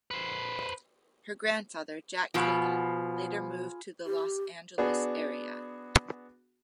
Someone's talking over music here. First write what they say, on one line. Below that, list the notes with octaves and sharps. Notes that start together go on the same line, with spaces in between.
Her grandfather, Jack Kagan, later moved to the Los Angeles area.
B4 C5
B2 F3 F4 G#4 B5
G4
B3 D4 F#4 G#4